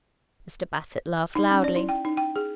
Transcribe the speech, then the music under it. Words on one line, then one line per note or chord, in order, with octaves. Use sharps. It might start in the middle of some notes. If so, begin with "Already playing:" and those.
Mr. Bassett laughed loudly.
D#4
C#4
D5
E4
G5
D#4
G5
G#4